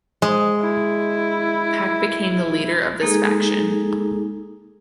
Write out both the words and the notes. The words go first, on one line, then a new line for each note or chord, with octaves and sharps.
Pak became the leader of this faction.
G#3
E4
G#3 A#3 D#4 G#4 A4